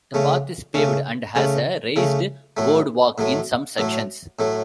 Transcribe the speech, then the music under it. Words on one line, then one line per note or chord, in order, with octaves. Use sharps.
The path is paved and has a raised boardwalk in some sections.
C#3 A3 C#4
C#3 A3 C#4
C#3 A3 C#4
C#3 A3 C#4
A2 F#3 A3
A2 F#3 A3
A2 F#3 A3
A2 F#3 A3